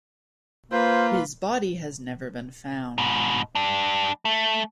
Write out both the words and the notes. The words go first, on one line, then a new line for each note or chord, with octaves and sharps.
His body has never been found.
A#3 F4 B4 C5
G#2 B2
G3 D4
A3